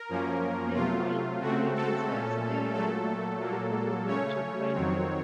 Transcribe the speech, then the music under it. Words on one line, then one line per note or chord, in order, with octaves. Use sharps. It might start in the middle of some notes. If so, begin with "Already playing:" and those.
Neumann married his wife Diane before moving to Granby.
Already playing: A#4
F#2 F3 A#3 C#4
C3 F#3 A3 F4
C#3 A3 C4 F#4
A4
A#2 A3 C#4
A#2 F#3 A3 A4
A#2 F#3 A#3
C#3 A3 C#4 C#5
F2 D#3 F#3 C4